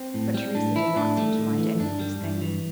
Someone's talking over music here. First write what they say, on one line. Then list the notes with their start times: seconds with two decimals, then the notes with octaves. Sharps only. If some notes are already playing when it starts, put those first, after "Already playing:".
But Theresa did not seem to mind any of these things.
Already playing: C4
0.14 A2
0.34 G3
0.55 A2 D4
0.76 E3 E4
0.96 A2 D4
1.17 G3 A3
1.38 A2
1.58 E3
1.79 G2 D4
1.99 G3
2.21 G2
2.42 E3